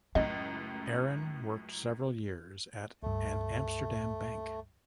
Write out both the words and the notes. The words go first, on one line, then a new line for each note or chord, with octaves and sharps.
Arron worked several years at an Amsterdam bank.
C#2 F#2 A2 C#4 D#5
C#2 G2 A3